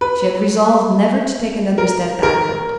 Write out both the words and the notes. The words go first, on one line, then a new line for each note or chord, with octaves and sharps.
She had resolved never to take another step backward.
B4
A#4
A#4